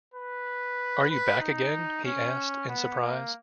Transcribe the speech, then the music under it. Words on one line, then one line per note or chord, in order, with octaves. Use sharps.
Are you back again? he asked, in surprise.
B4
B4
D#4
C#4
B3
A#3